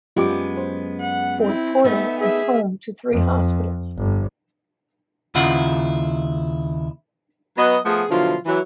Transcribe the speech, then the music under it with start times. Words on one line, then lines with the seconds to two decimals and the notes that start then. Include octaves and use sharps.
Fort Portal is home to three hospitals.
0.17 F#2 G#3 B3 F4 G4 D6
0.57 C5
1.00 F#5
1.41 C4 E4
1.84 A3 B3 D#4 E5
2.17 G#4 E5
3.12 F2
3.97 G1
5.35 D#2 C#3 E4 F4 F#5
7.57 F#3 B3 F#4 B4 D#5
7.85 F3 A3 B3 G#4
8.10 B2 D3 F3 F#3 E4 F4
8.46 E3 F#3